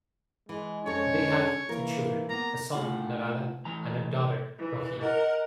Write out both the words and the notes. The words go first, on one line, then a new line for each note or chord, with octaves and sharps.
They had two children, a son, Narada, and daughter, Rohini.
E3 G#3
F2 C#4 A4 C#5
E3 A#3 A#4
A#3 B3 A#5
A2 F4 F#5
A2 E3 A#5
E3
A#4 D#5 F#5